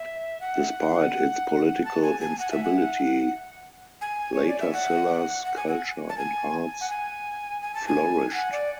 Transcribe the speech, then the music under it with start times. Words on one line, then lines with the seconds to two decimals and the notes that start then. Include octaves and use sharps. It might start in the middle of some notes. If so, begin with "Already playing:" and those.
Despite its political instability, Later Silla's culture and arts flourished.
Already playing: E5
0.41 F#5
1.85 A5
2.03 G#5
2.21 G#5
2.39 F#5
2.51 E5
2.63 F#5
4.01 G#5
4.34 C#5
4.47 D5
4.60 E5
4.73 F#5
5.45 F#5
5.56 G#5
5.68 F#5
6.09 A5
6.18 G#5
6.81 F#5
6.90 G#5
7.62 G#5
7.75 A5
7.87 G#5
8.30 G#5
8.34 F#5
8.52 D5